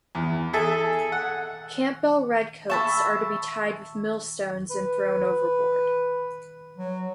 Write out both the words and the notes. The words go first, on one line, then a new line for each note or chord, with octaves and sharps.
Campbell redcoats are to be tied with millstones and thrown overboard.
E2
G#4 A4 E5
F#5
E5 A5 B5 C#6 E6
B4
F#3